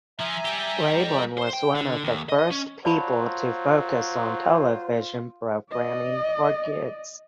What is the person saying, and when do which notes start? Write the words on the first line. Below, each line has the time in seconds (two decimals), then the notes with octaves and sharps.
Laybourne was one of the first people to focus on television programming for kids.
0.20 F3 E5 G#5 A#5
0.46 G3 G4
0.91 F2 A#5
1.38 C5
1.53 G5
1.75 D3
2.04 D#2
2.29 D#5
2.51 C#4
2.85 F#3 F4 C5 D5 A5 B5
5.71 D5 D#5